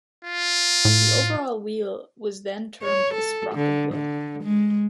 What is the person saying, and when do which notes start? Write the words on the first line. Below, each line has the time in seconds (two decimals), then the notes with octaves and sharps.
The overall wheel was then termed a 'sprocket wheel'.
0.25 F4
0.85 A2
2.82 C#5
3.14 A4
3.55 D3
3.94 D3
4.43 G#3